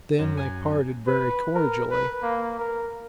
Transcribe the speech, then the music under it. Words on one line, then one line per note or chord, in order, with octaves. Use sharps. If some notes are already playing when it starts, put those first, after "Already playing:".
Then they parted very cordially.
F#2
G#5
B4
A#4
B4
A#3
A#4